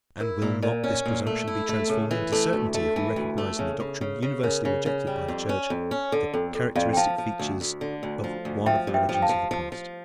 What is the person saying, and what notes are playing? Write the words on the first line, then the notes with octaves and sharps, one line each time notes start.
And will not this presumption be transformed into certainty if we recognize in the doctrine universally rejected by the Church the characteristic features of one of the religions of the past?
E4 A#4
A#2
A#2 A#4 D5
C#4
A#2
A3
E4
A3
C#3 A4
E3
A3 A4
D2
A3
E3
D2
A3
C#3
C#3
C#3
C#3
C#3 A#4
C#3
C#3
G3
F2
C#4
F2
C#4
D3 A4
F2 A4
F2 A4
F2 D5 F5
G5
F3 F5 A5
F3
D2
D2
D3
D2
F3
D2
F3 E5 G5
G2
E5 G5
F3
G5
F5 A5
F3
F3
F3